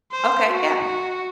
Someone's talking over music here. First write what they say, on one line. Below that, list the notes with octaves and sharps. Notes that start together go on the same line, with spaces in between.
Okay, yeah.
C5
F#4